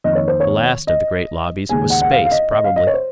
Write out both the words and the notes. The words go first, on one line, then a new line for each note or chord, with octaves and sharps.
The last of the great lobbies was Space, probably.
F2 D#3 A#3 D#5
C#5
C5
C#5
D#5
D#2 C#3 G#3 G#5
F#5
F#5
F5
F5
D#5
D#5
F5
D#5
C#5
C5